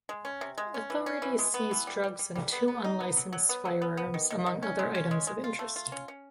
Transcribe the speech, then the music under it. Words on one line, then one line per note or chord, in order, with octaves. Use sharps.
Authorities seized drugs and two unlicensed firearms among other items of interest.
G#3
C#4
C3
G#3
C#4
E3
C#4
E3
G#3
B3
E3
G3
G3
G3
G3
B3
B3
D#4
B3
F#3
F#3
B3
F#3
B3
B3
D#3
D#3
D#3
C#4
G#3
C#4
G#3
G#3
F4
A3
F4
C#4
C#4